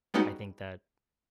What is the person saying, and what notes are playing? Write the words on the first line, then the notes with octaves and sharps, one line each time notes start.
I think that
G3 G#3 B3 C#4 D#4 F#4